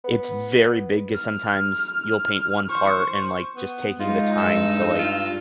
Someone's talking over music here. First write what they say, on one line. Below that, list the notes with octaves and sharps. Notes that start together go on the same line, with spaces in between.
It's very big 'cause sometimes you'll paint one part and, like, just taking the time to, like
B3
F6
C5 C#6
B3
G#3 D#4 F4
G2 E6
F4